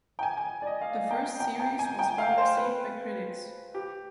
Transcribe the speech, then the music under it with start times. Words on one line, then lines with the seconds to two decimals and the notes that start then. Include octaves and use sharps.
The first series was well received by critics.
0.19 G5
0.23 G#5
0.37 G#5
0.62 D5
0.67 D#5
0.81 F5
1.11 G5
1.40 G5
1.60 G5
1.79 G#5
1.99 G5
2.18 F5
2.38 C5
2.57 B4
3.75 G4